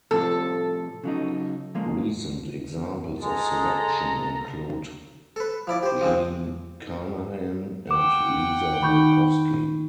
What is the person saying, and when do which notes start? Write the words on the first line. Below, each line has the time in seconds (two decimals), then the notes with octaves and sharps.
Recent examples of selection include Jean Carnahan and Lisa Murkowski.
0.11 A2 C3 F3 A4
1.04 C#3 F#3 D#4
1.75 F3 G#3 A#3
3.23 G#3 A4 A#5
5.36 A4 B4
5.67 F3 E4 D5
5.83 G4 C5
6.01 F3 G#3 C4
7.91 F#5 G5 D6 E7
8.83 D#3 D#4 B5 C#6 G6